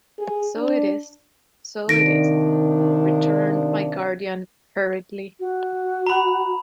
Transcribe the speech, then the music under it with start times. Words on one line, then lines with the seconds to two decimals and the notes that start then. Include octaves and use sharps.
"So it is, so it is," returned my guardian hurriedly.
0.19 G#4
0.57 D4
1.89 C3 D#3 F3 D4 A#6 D7
5.40 F#4
6.06 A#5 B5